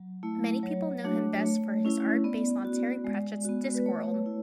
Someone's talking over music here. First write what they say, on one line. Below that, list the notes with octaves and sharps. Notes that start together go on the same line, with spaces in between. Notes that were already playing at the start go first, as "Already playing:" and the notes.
Many people know him best for his art based on Terry Pratchett's "Discworld".
Already playing: F#3
A3 E4
F#3 C#5
A3 D4 F#4
A3
C#4 E4
B3 D5
F#4
G#3
B3 F#4
B4
A3 C#5
E4